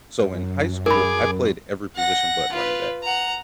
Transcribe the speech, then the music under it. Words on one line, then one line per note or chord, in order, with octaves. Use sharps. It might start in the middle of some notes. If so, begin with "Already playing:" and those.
so, in high school, I played every position but running back.
F#2
G#4 A#4 B5 D6
F#5 A#6
F4 B4
F#5 A#5